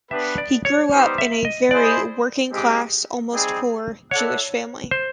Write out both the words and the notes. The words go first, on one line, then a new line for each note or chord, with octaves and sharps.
He grew up in a "very working-class, almost poor" Jewish family.
B3 D4 G4 B4 E5
D5
C#5
G3 B3 D#4 G4 C5
E5
D#5
E4 G#4 C5 D5 D#5
G#3 C4 D#4 G4
G3 C4 D#4 G#4
E4 A4 C#5 D5 F#5
C5